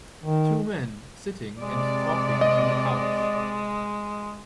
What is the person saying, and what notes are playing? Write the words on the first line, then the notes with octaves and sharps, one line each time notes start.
Two men sitting and talking on a couch.
D#3
C3 G#3 D5
D#5